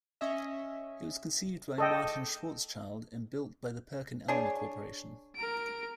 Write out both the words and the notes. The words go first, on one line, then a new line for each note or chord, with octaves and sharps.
It was conceived by Martin Schwarzschild and built by the Perkin Elmer Corporation.
C#4 D#5 E5
A4 D#5 G5
D4 G#4 C#5
A#4 D7